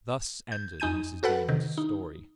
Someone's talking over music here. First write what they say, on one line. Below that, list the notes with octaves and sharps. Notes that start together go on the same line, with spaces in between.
Thus ended Mrs. Dean's story.
G6
F2 D#4 G#5 G6 D#7
F#4 A4 B4 F#5
C3 D#3
D#4